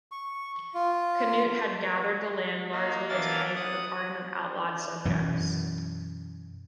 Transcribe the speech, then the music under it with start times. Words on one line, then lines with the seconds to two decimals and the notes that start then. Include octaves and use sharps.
Canute had gathered the land largely as pay for the pardon of outlawed subjects.
0.12 C#6
0.74 F4
2.71 A#3 D#4
3.09 E3 B3 D4 A#4 F5 A6
3.56 F#5 D#6
5.05 F#2 B2 E3